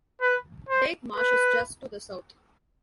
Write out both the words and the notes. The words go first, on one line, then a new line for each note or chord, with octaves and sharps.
Dyke Marsh is just to the south.
B4
C5
B4